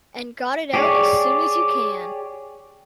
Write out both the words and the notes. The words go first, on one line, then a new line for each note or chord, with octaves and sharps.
And got it out as soon as you can.
G4 G#4 C#5 D5